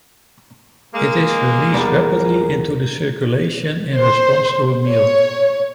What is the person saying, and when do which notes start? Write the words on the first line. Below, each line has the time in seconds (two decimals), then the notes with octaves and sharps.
It is released rapidly into the circulation in response to a meal.
0.94 G#3 A#3
1.74 E2 G3 A#4
3.97 C5
4.88 C#5